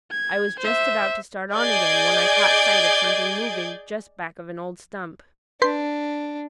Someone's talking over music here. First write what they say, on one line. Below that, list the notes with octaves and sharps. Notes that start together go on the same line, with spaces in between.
I was just about to start on again when I caught sight of something moving just back of an old stump.
G#6
C5 E5
G#4 D5 D#5 G6 G#6 D7
D4 B4 C6 G6